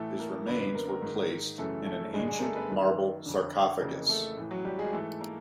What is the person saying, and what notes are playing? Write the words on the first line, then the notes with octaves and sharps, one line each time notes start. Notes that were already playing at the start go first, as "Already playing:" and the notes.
His remains were placed in an ancient marble sarcophagus.
Already playing: A2 E3 A3 A4
A#3 A#4
F#2 D3 B3 B4
B3 B4
A#3 A#4
A#3 A#4
G#2 D#3
F#2 C#3 E3 A3 A4
A3 A4
G2 D3 G#3 G#4
G#3 G#4
A#4
A3 A4
B3 B4
F#2 D#3
F2 D3
F2 C#3 E3 A#3 A#4
A3 A4
A2 E3
F#3 F#4
G3 G4
G#3 G#4
G#2 E3 A3 A4
A#3 A#4